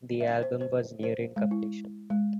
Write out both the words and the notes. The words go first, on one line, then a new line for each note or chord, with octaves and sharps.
The album was nearing completion.
E5
C5
C5
C5
G#3
E4
G#3